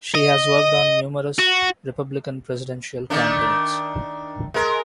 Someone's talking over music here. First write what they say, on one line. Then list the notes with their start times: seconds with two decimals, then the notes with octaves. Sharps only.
She has worked on numerous Republican presidential campaigns.
0.15 D#5
1.39 F#4
3.10 D#3 A3 D4
4.54 G#3 A#4